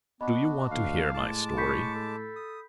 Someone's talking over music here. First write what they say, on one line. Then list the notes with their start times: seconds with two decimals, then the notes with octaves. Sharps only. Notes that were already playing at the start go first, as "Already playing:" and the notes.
"Do you want to hear my story?"
0.21 B3 D4 F#4 D#5 B5
0.71 D2 F5
1.14 A2 G#3 A5 D6
1.57 B5 C#6 G6 B6
1.95 A4
2.36 D#6